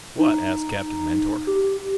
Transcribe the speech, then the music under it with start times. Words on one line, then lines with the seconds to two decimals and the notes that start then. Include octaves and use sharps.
"What?" asked Captain Mentor.
0.19 D#4
1.47 G4